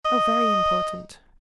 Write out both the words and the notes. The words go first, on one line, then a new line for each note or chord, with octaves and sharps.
"Oh! very important."
D#5